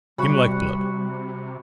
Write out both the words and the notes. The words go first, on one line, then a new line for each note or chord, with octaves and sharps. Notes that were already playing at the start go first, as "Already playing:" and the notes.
Heem like blood.
C3 G3 F#4 F#5 B5